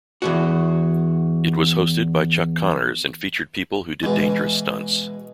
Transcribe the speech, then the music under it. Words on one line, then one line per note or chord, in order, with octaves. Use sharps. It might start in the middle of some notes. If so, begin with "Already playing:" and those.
It was hosted by Chuck Connors and featured people who did dangerous stunts.
E2 G#2 F#4
B2 E3 G#3